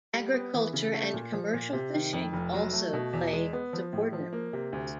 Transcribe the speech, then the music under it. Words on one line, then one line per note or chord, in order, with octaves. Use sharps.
Agriculture and commercial fishing also play subordinate roles.
G3
B3
E3
C#3
A3
A#2
F3
A#2
C3
D#3
F2
F1
F#3
A3
B2
E2
G#3
B3
F3
A2
F3
A#3
C3
D2